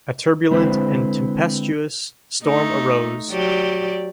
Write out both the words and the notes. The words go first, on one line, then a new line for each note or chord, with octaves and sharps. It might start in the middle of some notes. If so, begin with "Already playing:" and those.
A turbulent and tempestuous storm arose.
D3 G#3 C4 E4 B4 C5
A3 D#4
F#3 G4 D5